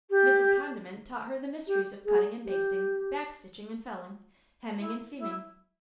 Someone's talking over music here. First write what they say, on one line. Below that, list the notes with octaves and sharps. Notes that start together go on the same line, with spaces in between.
Mrs. Condiment taught her the mysteries of cutting and basting, back-stitching and felling, hemming and seaming.
G4
G4
G#4
G4
E4
E4